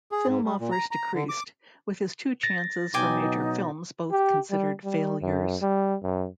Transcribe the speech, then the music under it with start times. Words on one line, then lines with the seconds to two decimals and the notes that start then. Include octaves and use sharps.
Film offers decreased, with his two chances for major films both considered failures.
0.12 G#4
0.27 G#2
0.44 G3
0.60 A#2
0.72 A#5
0.91 A#5
1.14 D3
1.29 D6
2.43 A6 A#6
2.94 B2 F#3 D#4 G5 G#5 D6
4.11 G4
4.51 G3
4.84 G3
5.22 F#2
5.62 G3
6.03 F#2